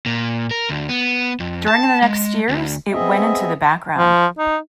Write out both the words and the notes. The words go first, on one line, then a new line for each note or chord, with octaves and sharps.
During the next years it went into the background.
A#2
A#4
D2
B3
F2
A5
G#3
D2
B3 C4 G#4 D#5 E5
F3
D#4